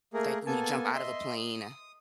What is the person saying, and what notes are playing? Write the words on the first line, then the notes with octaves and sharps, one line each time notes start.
like, when you jump out of a plane
A3 A#3 G#4 A#4
A#3 B3 A4 G#5 A5
D#5 E5 C6
D#6